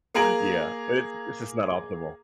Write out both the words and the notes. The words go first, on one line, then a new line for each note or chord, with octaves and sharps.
Yeah. But it's it's just not optimal.
A#3 G#4 A#5 D7 F#7